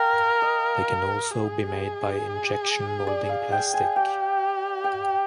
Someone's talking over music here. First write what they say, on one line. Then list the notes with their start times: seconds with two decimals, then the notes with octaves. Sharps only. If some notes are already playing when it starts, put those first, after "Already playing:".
They can also be made by injection molding plastic.
Already playing: A#4 F5 G5
0.42 D#5
1.31 G#4
3.07 D5
3.29 F5
3.52 G5
3.74 G#5
3.96 G4 G5
4.84 G5